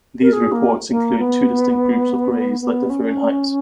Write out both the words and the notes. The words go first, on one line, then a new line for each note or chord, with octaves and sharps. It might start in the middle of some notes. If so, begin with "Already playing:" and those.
These reports include two distinct groups of Greys that differ in height.
A#4
G#4
A#3
A#3
B3
B3
C#4